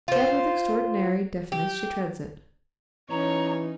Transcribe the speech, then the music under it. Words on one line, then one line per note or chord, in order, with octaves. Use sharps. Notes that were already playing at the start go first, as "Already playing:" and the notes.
Yet with extraordinary deftness she treads it.
F4 C5
G4
E3 C#4 D#4 C#5 A#5